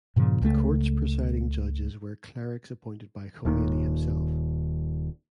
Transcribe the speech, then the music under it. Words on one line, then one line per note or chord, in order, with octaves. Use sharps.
The courts presiding judges were clerics appointed by Khomeini himself.
G2 A#2 C#3 F3
C#2 C#3 A3
D#1 D#2 D#3